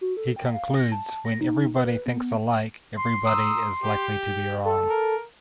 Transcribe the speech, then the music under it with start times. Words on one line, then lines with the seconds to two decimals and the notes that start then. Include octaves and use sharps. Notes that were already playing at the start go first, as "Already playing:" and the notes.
He concludes when everybody thinks alike, everybody is likely to be wrong.
0.01 F#4
0.17 A4
0.36 G5
0.53 F5
0.75 A#6
0.92 A5
1.06 A5
1.25 A#6
1.41 D#4
1.76 B4
1.89 B4
2.06 B3
2.97 C6
3.26 A#5 D#6 E6
3.83 G4
4.65 A4
4.90 A#4